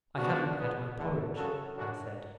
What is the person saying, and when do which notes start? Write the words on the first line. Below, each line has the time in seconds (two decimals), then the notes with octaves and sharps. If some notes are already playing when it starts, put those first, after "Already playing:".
"I haven't had my porridge," I said.
0.17 G#2 G#3 B3 D4 F#4
0.57 C#2 B2 F#3 B3
0.97 E2 D3 A3
1.36 F#2 C#3 F#3 F#4 A4
1.76 F#2 C#3 F#3 D4 F#4